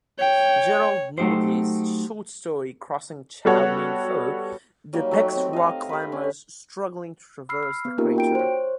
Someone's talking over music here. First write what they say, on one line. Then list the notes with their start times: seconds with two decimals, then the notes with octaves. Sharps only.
Gerald Nordley's short story "Crossing Chao Meng-Fu" depicts rock-climbers struggling to traverse the crater.
0.19 C#5 G5
1.18 F#3 A3 D#4 G4 C5
3.45 G3 B3 F#4 A4 C#5 F#5
4.93 F#3 G3 A#3 D#4
5.11 F#3 A3 D#4 G4
5.36 C4
5.53 D#5 F5
5.89 G4 B4
6.12 C#4
7.49 B5 E6 F6 C7
7.63 F6
7.85 B3
7.98 A#3 C#4 D#4 F4 G4 A#4
8.16 F#4 G5 D7
8.35 C5 C#5